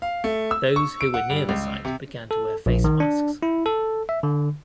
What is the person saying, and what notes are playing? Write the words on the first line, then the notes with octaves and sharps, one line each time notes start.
Those who were near the site began to wear face masks.
F5
A3
E6
C#6
D7
F#5
G2
C#2
C3
A4
A#1
D#3
D4
E4
A4
E5
D3